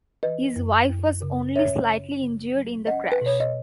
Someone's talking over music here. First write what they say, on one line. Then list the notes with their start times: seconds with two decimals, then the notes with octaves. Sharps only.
His wife was only slightly injured in the crash.
0.23 E3 B4 D#5
0.56 F#2
0.89 F#2
1.22 C#3
1.56 C#4 C#5 E5
1.88 C#3
2.21 C#3
2.54 F#3
2.87 C#4 D#5 F#5
3.12 B4
3.21 B2 C#5
3.40 D#5